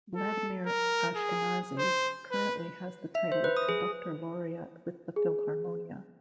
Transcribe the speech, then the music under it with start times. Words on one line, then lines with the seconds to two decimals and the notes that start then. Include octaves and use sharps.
Vladimir Ashkenazy currently has the title of conductor laureate with the Philharmonia.
0.16 A4
0.66 A#4
1.16 G#4
1.78 C5
2.31 B4
3.15 E5
3.32 C5
3.44 B4
3.57 D#6
3.69 G#4
5.16 G#4